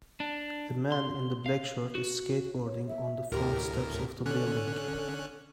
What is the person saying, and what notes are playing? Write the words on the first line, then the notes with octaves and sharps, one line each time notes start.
The man in the black shirt is skateboarding on the front steps of the building.
D4
C6
F5
F#4
C#5
E5
D2 A2 G4 A#4
G4
D3 C#4 A4 F#6